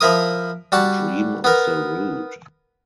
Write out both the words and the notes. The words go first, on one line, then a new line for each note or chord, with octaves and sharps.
Dream of the Rood.
F3 E4 A#4 D#6
G3 F#4 A5
B3 A#4